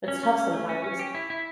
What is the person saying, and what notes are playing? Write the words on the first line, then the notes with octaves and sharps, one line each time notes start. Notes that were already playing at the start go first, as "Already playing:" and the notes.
It's tough sometimes.
C#4
C#4
C#4
A3
C#4
C#4
G4
E4
E4